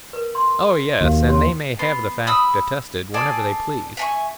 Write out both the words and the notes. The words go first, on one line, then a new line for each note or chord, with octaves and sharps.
"Oh, yes; and they may have the fact attested whenever they please."
A#4 B4
C6
D#2 F#4 F5
G4 C#5 C6
B3 C6
B5 D#6 E6
G#4 A4 D5 G#5
E5 G#5 C#6